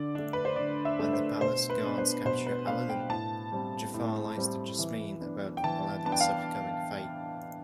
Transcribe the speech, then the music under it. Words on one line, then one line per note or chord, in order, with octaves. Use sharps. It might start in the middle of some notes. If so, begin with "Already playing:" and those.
When the palace guards capture Aladdin, Jafar lies to Jasmine about Aladdin's upcoming fate.
Already playing: D3 D5
A3 D4
B4
C5
D3 D5
E5
A3 D4
C5
B2 C5
B4
B3 D4
C5
B2 C5
B4
B3 D4 F5
G5
A2 A5
G3 C4
A2
G3 C4
E3
B3 D4
G5
E3 A5
B3 D4 A5
G5
F5